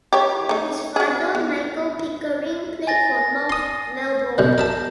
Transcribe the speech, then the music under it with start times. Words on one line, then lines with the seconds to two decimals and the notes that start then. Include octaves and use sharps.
His father, Michael Pickering, played for North Melbourne.
0.13 G4 C#5
0.49 A3 D#4
0.96 F#4 G#4
1.35 B3
2.87 G#5 A6 A#6
3.50 C6 D#6
4.38 F#2 B2 D3 G6
4.58 A#4 E5 A5